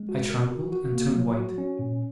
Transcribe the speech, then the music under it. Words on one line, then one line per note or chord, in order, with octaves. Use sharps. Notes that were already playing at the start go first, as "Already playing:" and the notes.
I trembled, and turned white.
Already playing: G#3
F#4
A#4
F#4
F#4
A#3
F#3
F#4
C#4
A#2